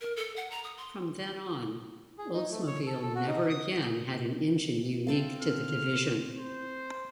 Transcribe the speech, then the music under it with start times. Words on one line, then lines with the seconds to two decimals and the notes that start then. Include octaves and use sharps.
From then on, Oldsmobile never again had an engine unique to the division.
0.01 A#4
0.17 A4
0.36 F#5
0.50 A#5
0.64 D#6
0.77 C6
2.18 G#4
2.34 D#4
2.51 A3
2.67 C#5
2.86 A4
3.02 A4
3.15 F#4
3.27 D#4
3.49 D#6
5.07 C4 A4 F5
5.42 F6
6.38 C5